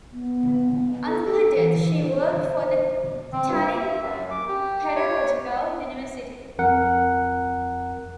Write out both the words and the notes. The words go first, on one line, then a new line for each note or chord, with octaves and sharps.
Until her death, she worked for the Tallinn Pedagogical University.
B3
A4
E3
C5
C4
G2
A#3
E5
F#2
D6
G4
C#5
F2 A#4 F#5